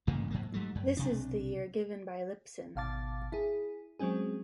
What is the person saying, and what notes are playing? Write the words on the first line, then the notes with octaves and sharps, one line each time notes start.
This is the year given by Liptzin.
A1 G2 C#3 A#3
G#2 F#3 A#3
G#2 F#3 G3 A3
F#2
B1 C3 D4
G#1 B2 F5 A5 D6 A6
E4 G#4
F#3 G#3 C4 C#4 G#4